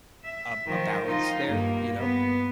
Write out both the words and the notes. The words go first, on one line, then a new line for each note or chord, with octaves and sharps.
a a balance there, you know.
E5
D#3 F3
D#4 F4
G2 A#3
B3